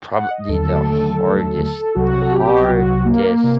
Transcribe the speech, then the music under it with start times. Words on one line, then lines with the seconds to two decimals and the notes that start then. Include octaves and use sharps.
probably the hardest, hardest
0.12 F#5
0.31 D#5
0.49 D#2 D3 F#3 A3 A4
1.95 C2 C3 F#3 F#4
2.22 A4
2.33 G4
2.69 F#4
3.05 A#3
3.44 C3